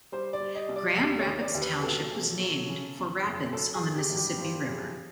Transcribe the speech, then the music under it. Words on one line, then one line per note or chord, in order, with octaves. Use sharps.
Grand Rapids Township was named for rapids on the Mississippi River.
G3 C5
D5
G3
D#5
C2
D5
D#2
C#5
D#3
D5
D#2
B4
B1 A4
B1
F#3
C#3
E2
F#1
F#3 A4
G#4
D#3
G4
G2
G4
F3
F#1